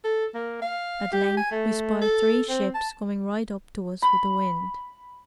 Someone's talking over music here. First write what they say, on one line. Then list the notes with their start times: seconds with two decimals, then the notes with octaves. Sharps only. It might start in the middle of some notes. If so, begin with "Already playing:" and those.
At length we spied three ships coming right up to us with the wind.
0.04 A4
0.34 A#3
0.62 F5
1.13 G4
1.37 G#5
1.51 A3
2.02 A4
2.49 C4
2.75 A5
4.02 B5